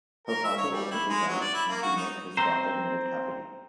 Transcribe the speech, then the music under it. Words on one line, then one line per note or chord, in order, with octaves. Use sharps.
Her father opened his eyes and she met his father and lived happily.
A#4
E5
C#5
G3
E4
G#3
F#3
D5
E4
A#3
F#4
D#4
C4 C5 A#5